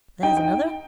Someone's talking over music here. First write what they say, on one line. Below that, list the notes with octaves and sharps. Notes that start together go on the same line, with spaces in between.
There's another.
D#4 G5
G5